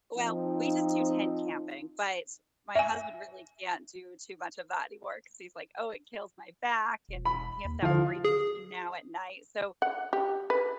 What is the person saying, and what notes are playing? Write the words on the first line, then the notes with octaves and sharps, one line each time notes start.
well, we just do tent camping, but my husband really can't do too much of that anymore 'cause he's like, "Oh, it kills my back," and he has to have his breathing machine now at night, so,
F3 C4 D#4
E5 G#5
E1
B5
D#2
D3 F3 F5
G#4
F#5
G4
B4